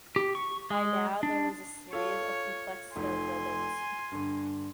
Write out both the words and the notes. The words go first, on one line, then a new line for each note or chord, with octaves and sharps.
By now there was a series of complex stone buildings.
G4
C#6
G#3
D4
F4 A4 C#5
F1 D#4 G#5 C6
G2 D3